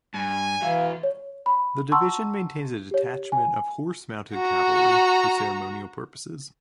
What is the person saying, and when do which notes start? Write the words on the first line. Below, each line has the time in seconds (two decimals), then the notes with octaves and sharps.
The division maintains a detachment of horse-mounted cavalry for ceremonial purposes.
0.14 G2 G#5
0.62 E3 F#4 E5 F5
1.03 C#5
1.46 B5
1.92 F#5 A5 A#5 C6 C#6 E6
2.91 G4 C#5
3.32 G#5
4.33 F#4 A#5